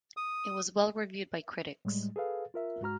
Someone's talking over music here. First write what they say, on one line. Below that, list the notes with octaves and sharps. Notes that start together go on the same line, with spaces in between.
It was well reviewed by critics.
D#6
A2 G3 G#3
G#4 A4 B4 F5
F4 A#4 E5
G#2 G#3 F#4 A#5 F6